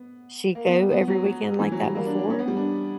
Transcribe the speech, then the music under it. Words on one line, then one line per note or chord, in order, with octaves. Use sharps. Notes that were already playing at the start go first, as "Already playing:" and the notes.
she go every weekend like that before?
Already playing: B3
A#3
B3
B3
B3
F#3
F#3
E3
F#3
G3
A#3
D4
D4
C#4
B3
G3
D4